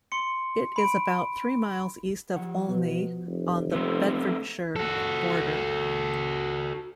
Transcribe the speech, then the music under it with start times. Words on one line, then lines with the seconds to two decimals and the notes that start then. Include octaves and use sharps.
It is about three miles east of Olney, on the Bedfordshire border.
0.12 C6 C#7
0.76 B5 D7
2.36 F3 F#5
2.69 B2
3.27 F1
3.72 A3 B3 C4
4.76 F#4 A4